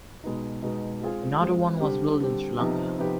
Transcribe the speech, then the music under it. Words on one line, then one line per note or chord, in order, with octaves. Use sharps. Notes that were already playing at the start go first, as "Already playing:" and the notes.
Another one was built in Sri Lanka.
B2 G#3 B3 D#4
B2 G#3 B3 D#4
G#3 C4 F4 G#4
G#3 C4 F4 G#4
D3 G3 C4 G4
D3 G3 C4 G4
C3 F3 B3 D#4 G4
C3 F3 B3 D#4 G4